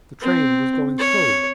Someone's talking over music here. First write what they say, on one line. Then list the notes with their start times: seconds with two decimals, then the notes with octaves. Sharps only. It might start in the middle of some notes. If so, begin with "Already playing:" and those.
The train was going slowly.
0.22 C4
0.98 C#5